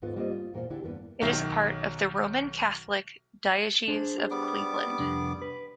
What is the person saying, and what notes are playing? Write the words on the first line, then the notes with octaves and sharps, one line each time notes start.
It is a part of the Roman Catholic Diocese of Cleveland.
D#2 G#2 B3 F4 A4
G3 A#3 C4 F4 C5 D#5
F4
E2 A#2 A#3 C5 F5
D3 D4 E4 G4 E5
E2 G2 A#3 B3 B4
B1 D#3 E5 C7
D4 G#4 C5
G3 B3 D6
C2 F2 D4
B4